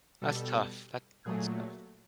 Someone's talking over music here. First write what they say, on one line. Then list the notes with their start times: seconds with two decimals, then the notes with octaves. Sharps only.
That's tough. That sounds tough.
0.21 B2 G3 A4
1.25 A#2 F#3 A3 G#4